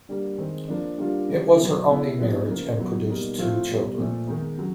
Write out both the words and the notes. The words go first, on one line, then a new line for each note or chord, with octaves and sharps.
It was her only marriage, and produced two children.
D3 G3 A#3
D#3 G#3 C4
F3 A#3 D4
D3 G3 A#3 D4 F4
C#3 E3 G3
B2 F#3 B3
B2 G#3 B3 E4
C3 F3 G#3 B3 D4
C#3 F3 A#3
B2 F#3 B3
B2 G3 A#3 D#4
F3 A3 C4 F4
B2 G3 B3
A#2 F3 A3
D#3 G#3 B3 D#4
C#3 F#3